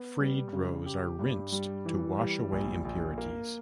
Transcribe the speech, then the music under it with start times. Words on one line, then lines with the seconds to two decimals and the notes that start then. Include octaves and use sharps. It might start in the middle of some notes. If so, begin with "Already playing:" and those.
Freed roes are rinsed to wash away impurities.
Already playing: B3
0.20 G3
0.53 C#3
0.86 G4
1.19 G2
1.52 G3
1.85 E3
2.18 G3
2.52 A#1
2.85 A#1
3.18 A#3